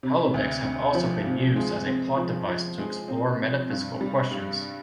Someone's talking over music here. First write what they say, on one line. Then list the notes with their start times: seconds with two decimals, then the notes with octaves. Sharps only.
Holodecks have also been used as a plot device to explore metaphysical questions.
0.03 C3
0.34 D2
0.64 D2
0.95 F3
1.25 C3
1.56 G#3
1.86 C4
2.17 F3
2.47 F3
2.78 G#3
3.08 C4
3.39 C3
3.70 G2
4.01 G3
4.31 G2